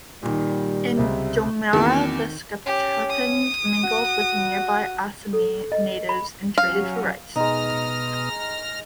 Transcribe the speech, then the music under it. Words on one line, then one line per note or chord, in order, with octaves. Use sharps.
In Doimara, the Sherdukpens mingled with the nearby Assamese natives and traded for rice.
A#2 D#3 G3
C#2 C3
E2 D#3 F#3 A#3 C4 G#4
C#4 G4
D#6
F#4
A4
D#5
B5
F#3 C#4 F5
B2 G#3 D#4 D#6 F6 A#6